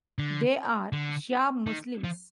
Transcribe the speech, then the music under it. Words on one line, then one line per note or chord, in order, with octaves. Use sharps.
They are Shia Muslims.
D3
D3
D#3
F3